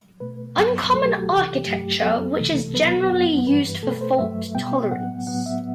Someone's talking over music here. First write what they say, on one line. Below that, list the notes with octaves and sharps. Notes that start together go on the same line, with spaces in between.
Uncommon architecture which is generally used for fault tolerance.
B2 A3 B4
G2 F#3 B3
C2 B2 F#3 A3 A4
G4
F#4
C2 C3 E3 G4
G2 F#3 A3 G4
F#2 F#3 B3 A4
C2 C3 E3 A3
C2 B2 F#3 B3 B4
F#2 F#3 B3 F#5
G2 E3 G3 B4
B2 A3 A4
B4
C5
G2 F#3 A3 E5
B2 G3 B3 G5
A2 F#3 B3 F#5
A2 F#3 B3 F#5
E5